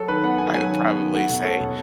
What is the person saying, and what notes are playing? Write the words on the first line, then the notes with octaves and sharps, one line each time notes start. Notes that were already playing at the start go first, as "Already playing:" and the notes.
I would probably say
Already playing: F#3 A4
D#3 B4
B3 F#5
D#3 G#5
F#3 G#5
D#3
B3
D#3
A3 F#5
B2
C#4 A4
B2